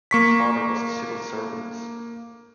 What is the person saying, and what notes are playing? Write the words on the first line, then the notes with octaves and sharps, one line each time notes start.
His father was a civil servant.
A#3 C#6 B6